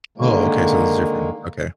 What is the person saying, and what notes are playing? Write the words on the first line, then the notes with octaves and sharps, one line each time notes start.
Oh, okay. So this is different. Okay.
D3 D#3 G#3 A#3